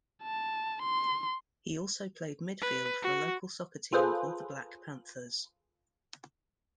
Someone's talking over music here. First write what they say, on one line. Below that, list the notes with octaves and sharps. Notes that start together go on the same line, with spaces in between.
He also played midfield for a local soccer team called the Black Panthers.
A5
C6
B4
F#4
F4 G#4 A4 B4 C5